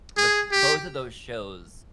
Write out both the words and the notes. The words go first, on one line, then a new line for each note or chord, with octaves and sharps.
but, both of those shows,
G#4
G4